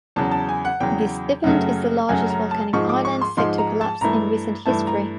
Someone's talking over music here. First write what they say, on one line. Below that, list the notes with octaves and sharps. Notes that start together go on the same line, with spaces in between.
This event is the largest volcanic island sector collapse in recent history.
E2 C#3 F#3 A5
A5
G#5
F#5
E2 C#3 F#3 G5
F#2 C#3 F#3 A3
F#2 C#3 F#3 A3 G#5
A#5
A5
G#2 F3 G#3 C#6
D6
C#6
C6
G#2 F3 G#3 C6
A#5
A5
G2 E3 A3 A#5
G2 E3 A3 A5
A#5